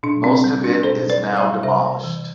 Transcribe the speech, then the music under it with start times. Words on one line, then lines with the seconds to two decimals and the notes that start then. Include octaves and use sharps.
Most of it is now demolished.
0.03 B2 D4
0.24 C4
0.44 G3
0.64 D4
0.83 B2 A4 C5
1.10 B4 D5
1.24 G3
1.37 D5 F5
1.63 C3 C5 E5
2.04 E3